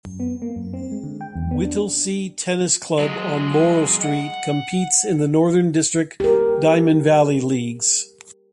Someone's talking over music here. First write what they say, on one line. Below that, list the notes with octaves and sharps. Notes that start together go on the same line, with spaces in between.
Whittlesea Tennis Club on Laural Street competes in the Northern district, Diamond Valley Leagues.
F#2
B3
A#3
F#2
C4
G#3
D3
G5
E2
B3
D4
F#3 G#3
F#5
G4 A#4